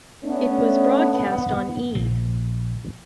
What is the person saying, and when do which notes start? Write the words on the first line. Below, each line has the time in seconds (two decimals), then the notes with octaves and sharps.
It was broadcast on E!
0.24 A3 B3 C#4 D4
1.95 A#1